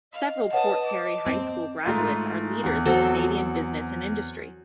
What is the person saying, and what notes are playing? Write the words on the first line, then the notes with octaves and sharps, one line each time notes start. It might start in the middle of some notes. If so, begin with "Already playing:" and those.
Several Port Perry High School Graduates are leaders in Canadian business and industry.
D#5 F5
B4 C#5 F#5 A5 D#6
A5 D6
C4
G#2 A3 F4
E2
F#3 C4 A4